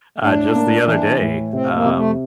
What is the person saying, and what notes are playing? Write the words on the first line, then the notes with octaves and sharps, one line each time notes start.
uh, just the other day, um,
A2 D4
A#3
E3
A2
C3 C4
A#3
C3
A3